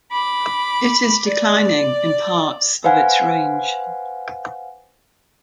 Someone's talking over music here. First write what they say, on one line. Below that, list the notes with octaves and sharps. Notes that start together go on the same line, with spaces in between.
It is declining in parts of its range.
B5 D6
D5
B4 C5 F5 F#5 G#5